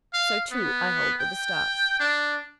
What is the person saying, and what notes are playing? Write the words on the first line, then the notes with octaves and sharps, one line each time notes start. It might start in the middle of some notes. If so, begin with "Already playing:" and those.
So, too, I hold, with the stars.
F5
B3
G5
D4